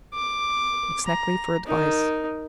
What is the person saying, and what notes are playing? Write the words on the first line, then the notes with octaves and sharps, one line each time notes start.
McSnagley for advice.
D6
A#5
D#4 A#4